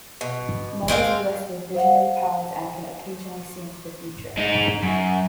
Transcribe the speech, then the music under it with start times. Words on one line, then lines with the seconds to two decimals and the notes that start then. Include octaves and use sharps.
Mud is blessed with visionary powers and can occasionally see into the future.
0.21 B2
0.88 G#3 C4 D5 F5
1.74 C5 F5 F#5
4.38 G#3 D#4
4.83 F#2